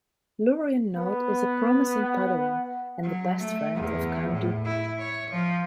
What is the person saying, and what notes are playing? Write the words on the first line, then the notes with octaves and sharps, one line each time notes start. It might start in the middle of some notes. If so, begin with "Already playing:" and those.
Lorian Nod is a promising Padawan and the best friend of Count Dooku.
B3
F#5
F#3
A3
E2
A2
E4
C#5
F3